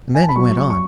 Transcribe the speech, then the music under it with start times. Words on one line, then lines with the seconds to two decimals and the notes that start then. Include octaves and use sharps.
And then he went on.
0.15 G#5
0.23 A5
0.29 B5
0.36 F#3 C#6
0.57 F#3 C#6
0.70 C#6